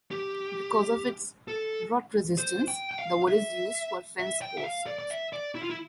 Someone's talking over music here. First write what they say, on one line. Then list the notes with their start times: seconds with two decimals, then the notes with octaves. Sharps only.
Because of its rot resistance, the wood is used for fence posts.
0.11 G4
1.48 A4
2.38 C5
2.68 G5
2.91 G5
2.99 F5
3.28 E5
4.20 E5
4.42 G5
4.58 E5
4.64 F5
4.87 D5
4.99 D5
5.10 E5
5.33 D5
5.55 E4
5.63 F4
5.70 E4